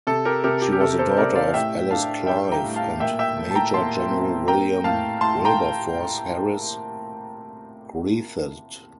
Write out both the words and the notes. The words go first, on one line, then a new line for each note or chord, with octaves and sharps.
She was the daughter of Alice Clive and Major General William Wilberforce Harris Greathed.
C3 A4
G4 A#4
C3 G4 A#4
G4
G4
C3 A4
A4 C5
C3 A#4 D5
D5 F5
A2 E5 G5
D4 F5 A5
G3 E5 G5
G5 A#5
A2
F5 A5
A#2 E5 G5
E5 G5
A3
A5
G5 A#5
A#2 A5 C6
C4
A#3 G5 A#5
A2 F5 A5
A2 A5 C6
G5 A#5